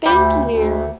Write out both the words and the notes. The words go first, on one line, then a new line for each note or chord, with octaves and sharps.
Thank you.
D2 G3
D2